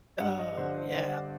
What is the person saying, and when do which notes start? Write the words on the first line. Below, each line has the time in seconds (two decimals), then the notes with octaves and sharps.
Oh, yeah.
0.20 G2 F#5
0.39 D#5
0.57 D3 C5
0.76 C5
0.94 D3 C5
1.13 D5